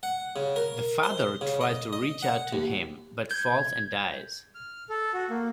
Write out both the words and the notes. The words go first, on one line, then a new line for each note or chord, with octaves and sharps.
The father tries to reach out to him, but falls and dies.
F#5
C#3
A#4
C5
C#3
D#5
D#5
F#5
D#2
G6 G#6
F6
A4
F#4
A#3